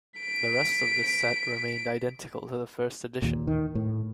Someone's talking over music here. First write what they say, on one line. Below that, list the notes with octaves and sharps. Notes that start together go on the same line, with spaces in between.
The rest of this set remained identical to the first edition.
B6 D7
D#2 A#2
D#3
A2